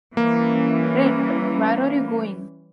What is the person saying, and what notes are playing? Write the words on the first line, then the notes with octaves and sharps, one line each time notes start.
Rhett, where are you going?
E3 G3 A#3 C#4